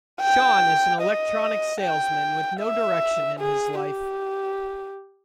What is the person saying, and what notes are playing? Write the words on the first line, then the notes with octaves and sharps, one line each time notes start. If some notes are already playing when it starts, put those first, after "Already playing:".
Shaun is an electronics salesman with no direction in his life.
G5
D#5
G5
E5
G#4
G4